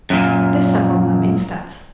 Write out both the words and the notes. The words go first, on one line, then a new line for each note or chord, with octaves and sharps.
They sat on them, instead.
F#2 A#2